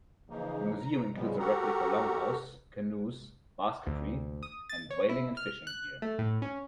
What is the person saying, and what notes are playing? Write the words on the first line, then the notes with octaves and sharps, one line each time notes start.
The museum includes a replica longhouse, canoes, basketry and whaling and fishing gear.
C#3 E3 F3 A#3 D#4
A#5
A2 C#3 F3 G3 G#3 B3
F#4 G4 A4 A#4 F#5 A#5
D2
D#6
A6
C#5
E4
F6
F#6
A3
A2
C#4